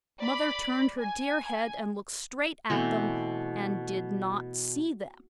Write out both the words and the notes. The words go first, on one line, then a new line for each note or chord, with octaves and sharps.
Mother turned her dear head and looked straight at them, and DID NOT SEE THEM!
D5 B5
G#5
B2 E3 A3 C4